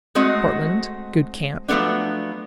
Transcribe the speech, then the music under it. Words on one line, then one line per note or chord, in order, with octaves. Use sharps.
Portland.--Good camp.
G#3 A3 C4 F#4 D#5
F3 F#3 A3 B3 D4